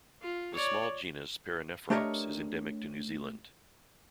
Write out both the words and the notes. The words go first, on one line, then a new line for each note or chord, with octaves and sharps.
The small genus "Paranephrops" is endemic to New Zealand.
F4
C#5 D5
A3 D4 G4 A#4 C#5 D#5